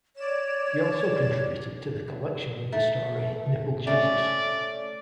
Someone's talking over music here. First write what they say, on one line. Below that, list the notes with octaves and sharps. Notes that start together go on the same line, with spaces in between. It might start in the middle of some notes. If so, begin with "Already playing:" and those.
He also contributed to the collection with the story "NippleJesus".
C#5 D5 E7
A3
A3 C#4 D5